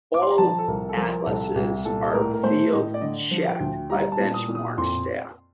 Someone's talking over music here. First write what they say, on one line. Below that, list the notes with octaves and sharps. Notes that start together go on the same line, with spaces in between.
All atlases are field-checked by Benchmark staff.
D6
C6
A#5
F3 A5
A4
C2 A#4
A4
F3 A#4
C2 A4
C2 G4
A#2 A4
A2 A#4
A#4
A3 C5
A2 D#5
D5
D3 D#5
F3
G5
D2
G3 A#5
A5
A#2
D#6
A#2
D#6
F2 C6